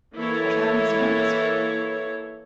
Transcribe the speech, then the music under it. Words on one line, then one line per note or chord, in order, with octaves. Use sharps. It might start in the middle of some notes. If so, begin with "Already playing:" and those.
What happens next?
E3 A#3 E4 A4 C#5